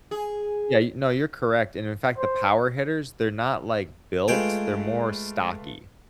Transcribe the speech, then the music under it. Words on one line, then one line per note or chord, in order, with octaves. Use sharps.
Yeah, y no, you're correct and in fact, the power hitters, they're not, like, built, they're more stocky.
G#4
C5
G#3 A3 F4 B4 G5 G#5